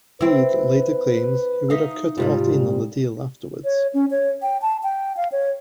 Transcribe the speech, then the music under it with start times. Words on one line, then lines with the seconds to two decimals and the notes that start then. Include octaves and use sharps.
Fede later claims he would have cut Art in on the deal afterwards.
0.21 C4 E4 B4
1.70 D#4 E5 F5
2.18 G#2 C3 G3 F4
3.64 C#5
3.94 C#4
4.11 C#5
4.42 G5
4.62 A5
4.83 G5
5.17 F5
5.32 C#5